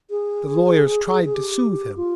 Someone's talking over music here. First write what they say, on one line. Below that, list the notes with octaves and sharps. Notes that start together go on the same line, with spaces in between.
The lawyers tried to soothe him.
G#4
G#4
G4
F4